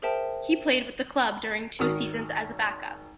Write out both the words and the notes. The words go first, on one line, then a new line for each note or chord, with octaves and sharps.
He played with the club during two seasons, as a backup.
G#4 A#4 C5 E5 G5 A5
G#1 D#3 F#4 A#4 D#6 F6